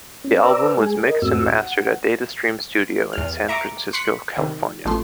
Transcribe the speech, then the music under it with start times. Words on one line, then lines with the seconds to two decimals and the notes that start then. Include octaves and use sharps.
The album was mixed and mastered at Data Stream Studio in San Francisco, California.
0.24 C#4
0.43 B4 C5 D5 A#5 D6 E6
0.77 G#3 G#4 G#5
1.05 A#4 D#5
1.22 E2 G#2 A3 C4 F#4 E6
1.58 F#5
3.13 E2 F6
3.48 E5 A#5 C#6 D6
3.93 C6 F#6 B6 C#7
4.37 C3 D#3 G3
4.85 A1 F3 A3 C6